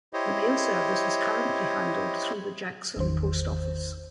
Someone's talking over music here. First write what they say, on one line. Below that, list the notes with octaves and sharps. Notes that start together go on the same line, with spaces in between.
The mail service is currently handled through the Jackson Post Office.
E4 G4 C5 C#5 D#5
G#1 E2 D#3 C5